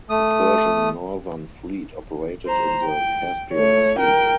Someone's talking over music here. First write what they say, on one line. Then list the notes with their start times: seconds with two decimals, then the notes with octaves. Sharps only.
The Persian northern fleet operated in the Caspian Sea.
0.10 A3 D#6
2.46 C5 A#5
2.85 G5
3.53 A3 C#5
3.99 A#4 G5